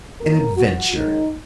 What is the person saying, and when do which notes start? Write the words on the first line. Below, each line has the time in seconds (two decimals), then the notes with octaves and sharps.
An adventure!
0.20 F#2 F#3 A#3 A#4
0.57 F#4
0.94 F#2 D#3 G#3 D#4